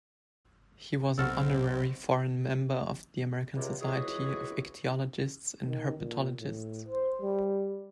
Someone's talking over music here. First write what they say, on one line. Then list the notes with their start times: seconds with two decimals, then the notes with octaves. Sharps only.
He was an honorary foreign member of the American Society of Ichthyologists and Herpetologists.
1.18 B1 C4 F#4 A4 D5 E6 F6
3.55 C#2 C3
3.82 C#2 E3 G#3 F#4 G#4 C#5
5.66 D#3
5.99 A#2
6.39 A2
6.88 C5
7.22 G3